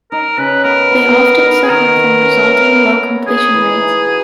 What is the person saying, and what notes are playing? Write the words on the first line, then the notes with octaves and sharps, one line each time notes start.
They often suffer from resulting low completion rates.
D#4 A#4
C#3 B4
B3 A#4
B3
B3
B4
G#4
D#3 A#4
D#3
C#4
E5
B3
C#5
G#4 A#4
E3
D#4
F#4